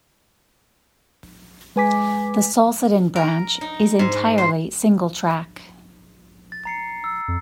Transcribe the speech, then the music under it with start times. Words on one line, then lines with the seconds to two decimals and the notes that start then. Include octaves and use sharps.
The Solsidan branch is entirely single track.
1.76 G#3 B4 G#5 D6 B6
3.16 A#4
3.61 D#4
3.99 G#2
4.38 C5
6.52 A6
6.65 A#5 C7 C#7
7.04 E6
7.28 F2